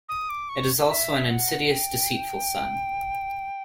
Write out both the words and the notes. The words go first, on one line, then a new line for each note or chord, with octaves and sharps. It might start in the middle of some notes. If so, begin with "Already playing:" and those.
It is also an insidious, deceitful sun.
D#6
D6
C#6
E5
F#5
G5